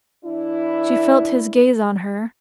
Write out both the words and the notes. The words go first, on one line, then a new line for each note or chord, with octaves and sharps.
She felt his gaze on her.
E3 D4 E4